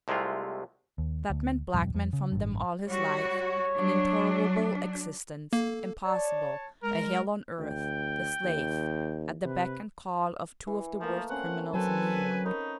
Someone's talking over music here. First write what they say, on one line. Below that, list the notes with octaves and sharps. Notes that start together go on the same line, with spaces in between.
That meant blackmail from them all his life, an intolerable existence, impossible, a hell on earth--the slave, at the beck and call of two of the worst criminals in New York!
C2 C3 G#3 A3 F4
D#2
D2
D1 B1 F2 G3
F2
C#3
A1 G2
G3 F#4 C#5
F#3 D4
A#3 A4
C#5 D5 A5
G#3 A#4
D2 G5
D#2
C3 B4
E3
F3 A3 A#3
C4 C#4 C5 F#5
F#3 A4 B4 G#5
D#4 A#4 C#5 B5